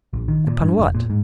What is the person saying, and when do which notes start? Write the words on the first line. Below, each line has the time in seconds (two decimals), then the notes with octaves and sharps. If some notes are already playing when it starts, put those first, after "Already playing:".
"Upon what?"
0.13 A#1
0.28 D#3
0.47 A#2
0.62 G2
0.79 F1
0.95 A#2
1.10 G#2